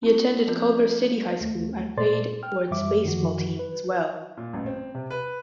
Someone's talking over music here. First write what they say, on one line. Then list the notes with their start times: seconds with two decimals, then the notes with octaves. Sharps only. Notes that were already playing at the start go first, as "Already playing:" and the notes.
He attended Culver City High School and played for its baseball team as well.
0.03 C4 E4
0.47 F3 C4 F4 A#4
1.41 D#2 A3
1.97 A#2 A4 C5 D5 C6 A6
2.43 G5 F6
2.71 F#2 E3 G3 E5 D6
3.04 F#2 D#3 F3 F#3 F#4
3.59 B4
4.37 A#2
4.53 A1
4.66 C4
4.94 C3
5.10 B4